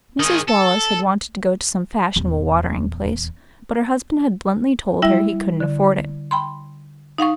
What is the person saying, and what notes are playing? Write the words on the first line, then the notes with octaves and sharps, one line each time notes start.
Mrs. Wallace had wanted to go to some fashionable watering place, but her husband had bluntly told her he couldn't afford it.
D#3 G#4
A4
D#1 E2
G3 E4 E5 G5
D3
G5 B5 C6
D#4 F5 F#5 C#6